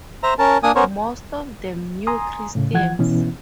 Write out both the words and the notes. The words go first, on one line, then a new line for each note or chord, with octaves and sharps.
Most of them New Christians.
C5 E5 A#5
C#4 A#4 A5
A#3 D4 G#5 D#6
B3 C#4 A#4 C5 C#5
G#5 A#5 C6 D#6
A2 C#3
E3 F3 F#5 G#6
B2 E3 B3 C#4 E4